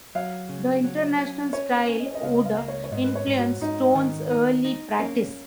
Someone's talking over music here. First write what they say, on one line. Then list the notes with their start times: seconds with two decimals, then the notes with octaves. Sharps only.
The International Style would influence Stone's early practice.
0.15 F#3 F5
0.49 C#3
0.84 F#3
1.18 C#4
1.53 C#4 C#5
1.76 B4
1.88 C#4
2.00 D#5
2.15 D#5
2.22 C#2 F5
2.45 F5
2.57 A#3
2.68 C#5
2.84 C#5
2.92 G#2 D#5
3.04 B4
3.15 C#5
3.27 G#2
3.37 F#4
3.61 G#2 D#4
3.95 D#3
4.31 D#4
4.65 D#4
4.99 A#3 C#4